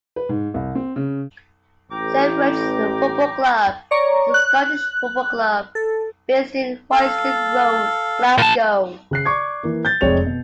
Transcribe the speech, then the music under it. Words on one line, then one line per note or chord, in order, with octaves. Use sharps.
Saint Roch's Football Club is a Scottish football club, based in Royston Road, Glasgow.
B4
G#2
C2
C4
C#3
A1 G5 A#5 D6
C#5 D5 A#5 C#6
F#6
A4
A4 F5
A#2 A5
C#3 F#6 C7
D5 C#6 D6 G#6
E3 A#3
G6 A6
F1 G#3 C4 C#5 D5 F7
B2